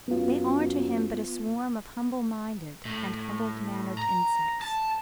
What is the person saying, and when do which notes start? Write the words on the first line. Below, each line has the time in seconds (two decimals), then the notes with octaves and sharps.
They are to him but a swarm of humble-minded and humble-mannered insects.
0.08 F#2 B3 F4
2.85 A2
3.98 A#5
4.61 A5